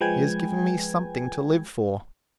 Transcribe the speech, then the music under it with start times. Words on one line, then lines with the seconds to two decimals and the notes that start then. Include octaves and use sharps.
He has given me something to live for.
0.01 F3 G#3 B4 G5 G#5 G#6